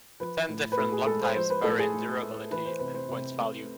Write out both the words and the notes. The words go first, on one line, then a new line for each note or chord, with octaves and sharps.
The ten different block types vary in durability and points value.
F3 B4
A2
B4
A2 A4
G#4
G#3 A4
C5
F3 C5
B4
A2 A4
G#4
A2
A3
E3 B4
C5
C3 B4
C5
C3
A3